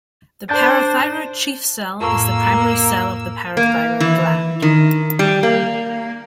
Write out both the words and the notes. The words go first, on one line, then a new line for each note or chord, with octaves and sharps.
The parathyroid chief cell is the primary cell of the parathyroid gland.
D4 C5 A5 G6 A6
F2 A2 A#3 E6
A#3
E3
D#3
G3
A#3